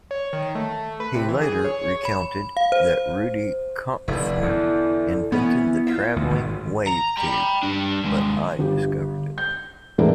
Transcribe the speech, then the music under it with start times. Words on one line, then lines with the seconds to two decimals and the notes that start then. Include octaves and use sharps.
He later recounted that Rudy Kompfner invented the traveling-wave tube, but I discovered it.
0.11 C#5
0.33 D#3
0.55 A3
1.00 B4
1.15 C3
1.28 E3
1.42 G#4
1.64 C#5
2.05 B5
2.57 F5
2.72 C5
4.08 F1 D3 E4
4.42 E2
5.32 E3 B3 C#4 E4
5.87 F4 E5
6.16 D2
6.30 G#1
6.87 A#5
7.17 G5 B5
7.63 G3 D4
8.04 D#2 G#3
8.59 G1 G4
9.38 G6
9.98 E2 A2 E3 A#3 D4